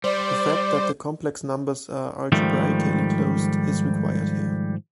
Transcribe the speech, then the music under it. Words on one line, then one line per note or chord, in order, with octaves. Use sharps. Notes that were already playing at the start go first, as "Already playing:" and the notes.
The fact that the complex numbers are algebraically closed is required here.
G3 C5 D5
G#2 D#3 F3 G3 A3